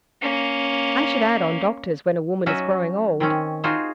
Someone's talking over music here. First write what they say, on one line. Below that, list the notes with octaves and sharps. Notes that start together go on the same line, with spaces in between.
I should add on doctors when a woman is growing old.
A#3 C#4
F#3 C#4 F#4 D#5 E5
D#3 C4 C#4
D#4 F4 F#4 G#4 C5 G#5